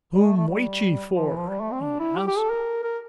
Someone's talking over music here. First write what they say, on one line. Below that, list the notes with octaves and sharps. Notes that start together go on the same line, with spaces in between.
'Whom wait ye for?' he asked.
G3
A3
A3
G3
F3
E3
F3
G3
A3
C4
D4
E4
G4
G4
A4
A#4
A#4